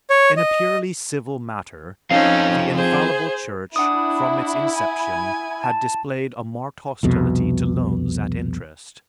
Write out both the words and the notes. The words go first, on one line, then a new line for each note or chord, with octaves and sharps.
In a purely civil matter, the infallible Church from its inception had displayed a marked hostility to loans at interest.
C#5
D#5
F3 C4 C#4 D#4 A4 F5
G#4 C5
D4 E4 F#5 D#6
G#5
A5
C2 F2 B2